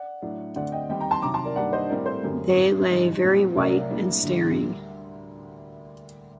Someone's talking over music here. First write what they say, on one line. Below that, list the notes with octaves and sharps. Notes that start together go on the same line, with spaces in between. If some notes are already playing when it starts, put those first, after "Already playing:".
They lay very white and staring.
Already playing: D5 F#5
A2 F#3 A3 D4
D2 D3 A3 C4 D5 F#5
D#5 G5
D#2 D#3 G3 C4 D#5 G5
G5 A#5
A5 C6
C3 D#3 F#3 A#5 D6
A5 C6
A#4 D5
G2 D#3 G3 A#3 D4 D5 F#5
C5 D#5
A2 G3 C4 A#4 D5
A4 C5
F#2 D3 A3 C4 G4 A#4
A2 A3 C4
F#2 D3 G3 D#4
A#2 F#3 C4
C2 C3 F#3 A3 A#4 D5
A2 G3 A#3 D4
D2 D3 G3